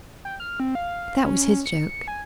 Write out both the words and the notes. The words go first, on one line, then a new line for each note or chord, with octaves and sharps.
'That was his joke.
G5
F6
C4
F5
C#4
C#7
G#5